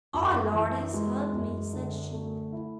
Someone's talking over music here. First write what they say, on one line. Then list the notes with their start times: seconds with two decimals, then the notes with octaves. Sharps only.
"OUR LORD has helped me," said she.
0.14 F#2
0.54 E3
0.94 G#3
1.33 F#2
1.73 D3
2.13 A3
2.52 E4